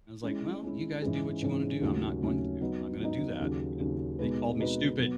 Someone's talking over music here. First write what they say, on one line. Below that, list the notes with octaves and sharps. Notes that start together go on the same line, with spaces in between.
and I was like, "Well, you guys do what you wanna do, I'm not going to. I'm not gonna do that." And they called me stupid,
G#3 C#4 E4
G#3 C#4 E4
G#2 E3 G#3 C#4 G#4
G#2 E3 G#3 C#4 G#4
D#2 C#3 F#3 A3 C#4
D#2 C#3 F#3 A3 C#4
F#3 B3 D#4
F#3 B3 D#4
D#2 C#3 F#3
D#2 C#3 F#3
B2 G#3 D#4 F#4 B4
B2 G#3 D#4 F#4 B4
B2 F#3 B3